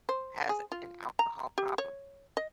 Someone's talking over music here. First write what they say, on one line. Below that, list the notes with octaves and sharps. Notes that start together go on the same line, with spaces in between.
has an alcohol problem,
C5
G#4
F4
A#5
G4
C#5
D#5